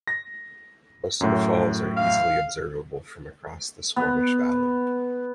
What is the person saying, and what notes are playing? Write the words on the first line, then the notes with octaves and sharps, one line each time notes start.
Most of the falls are easily observable from across the Squamish Valley.
A#6
F#2 A2
F5
B3